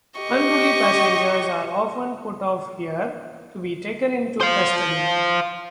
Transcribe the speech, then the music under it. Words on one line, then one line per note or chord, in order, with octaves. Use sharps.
Unruly passengers are often put off here to be taken into custody.
G4 D#5 C#6
C5 F5